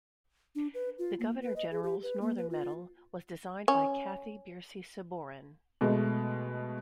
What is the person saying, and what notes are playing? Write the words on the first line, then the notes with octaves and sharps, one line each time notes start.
The Governor General's Northern Medal was designed by Cathy Bursey-Sabourin.
D4
B4
F4
A#3
B4
D#5
G#4
G4
B4
A#3
B4
F4
C#4
B2 G#3 A3